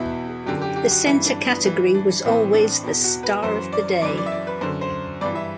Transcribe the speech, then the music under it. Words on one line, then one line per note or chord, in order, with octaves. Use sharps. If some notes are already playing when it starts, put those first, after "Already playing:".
The center category was always the "Star of the Day".
Already playing: E2 B2 E4
F#2 D3 G4
G4
G4
F#4
G2 E3 E4
D4
B3
G2 E3
D4
A2 E3 C4
D4
E2 B2
F#4
B4
F#2 E3 C5
D5
F#2 E3 D5
D5
E5
D5
B4
F#2 D3 C5
C5
G2 E3 D5
E5